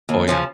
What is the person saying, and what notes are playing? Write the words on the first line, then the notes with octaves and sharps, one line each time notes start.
Oh yeah.
D#2
C#3 F3 C#4